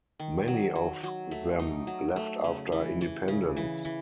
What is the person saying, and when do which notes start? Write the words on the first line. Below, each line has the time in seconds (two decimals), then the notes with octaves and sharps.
Many of them left after independence.
0.19 D#3
0.48 F#3
0.75 F#3
1.03 F#3
1.31 A3
1.59 D#4
1.87 F#3
2.16 A3
2.44 C#3
2.72 E3
3.01 E3
3.28 C#3
3.56 E3
3.85 E3